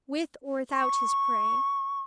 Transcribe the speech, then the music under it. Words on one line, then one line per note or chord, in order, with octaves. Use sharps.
With or without his prey!
C#6